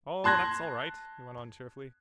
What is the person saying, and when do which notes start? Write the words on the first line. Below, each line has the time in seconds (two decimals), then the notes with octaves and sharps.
"Oh, that's all right," he went on cheerfully.
0.24 A5 C6 F#6 G#6 A#6